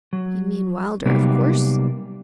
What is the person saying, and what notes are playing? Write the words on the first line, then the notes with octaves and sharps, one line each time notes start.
You mean Wylder, of course?'
F#3
C3 F#3 G3 A#3 B3 D#4